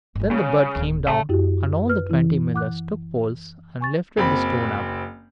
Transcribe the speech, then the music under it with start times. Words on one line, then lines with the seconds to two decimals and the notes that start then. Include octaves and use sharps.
Then the bird came down, and all the twenty millers took poles, and lifted the stone up.
0.15 G1 G3
0.31 C#3 G3
0.75 D1 D3
1.08 A1 E5 A5
1.29 F#2 E4 F#4 G4
1.88 B4 F6
2.10 E3 E4
2.54 F#5 D6 F#6
3.81 G#5 C#6 A6
4.17 F#1 C4 B5